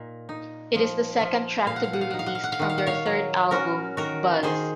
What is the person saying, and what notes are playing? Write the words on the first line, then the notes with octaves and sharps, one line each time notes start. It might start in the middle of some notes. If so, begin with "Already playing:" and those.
It is the second track to be released from their third album "Buzz".
Already playing: A#2 D#4
D#4
F3
F3
A#2 F5
F#5
F5
F#5
F5
D#4 F#5
F5
F#5
F5
F#5
F5
D#3 F#5
F5
F#5
C#5 F5
F#3
C#4 F#4 A#4
D#3 F#4 A#4
D#3 G#4 C5